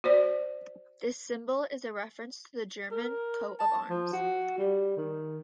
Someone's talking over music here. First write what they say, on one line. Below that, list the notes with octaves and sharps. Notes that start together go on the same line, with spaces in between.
This symbol is a reference to the German coat of arms.
F#4 C5 D5
A#4
A5
F3
F#4
G3
D#3